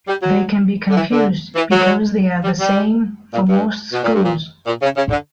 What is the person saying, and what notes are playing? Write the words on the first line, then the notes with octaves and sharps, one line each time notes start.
They can be confused because they are the same for most screws.
G3
F#3
D3
E3
D3
E3
F#3
G3
G3
A#2
G2
B2
A#2
G2
A#2
A#2
C#3
C#3
D3